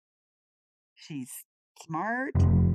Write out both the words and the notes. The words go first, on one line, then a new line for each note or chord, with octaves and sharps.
she's smart,
F1